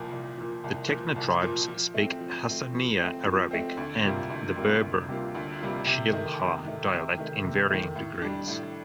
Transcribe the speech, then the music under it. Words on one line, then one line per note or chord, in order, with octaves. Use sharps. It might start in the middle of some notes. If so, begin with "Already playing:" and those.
The Tekna tribes speak Hassaniya Arabic and the Berber Shilha dialect in varying degrees.
Already playing: C2 A#2 F3
C2
A#2 F3
C2
A#2 F3
C2
A#2 F3
F3
A3 C4
F3
A3 C4
F3
A3 C4
F3
A3 C4
D2
C3 G3 A#3 F4
D2
C3 G3 A#3 F4
D2
C3 G3 A#3 F4
D2
C3 G3 A#3 F4
C3
D#3 A3
C3
D#3 A3
C3
D#3 A3
C3
D#3 A3
A2
G3 D4
A2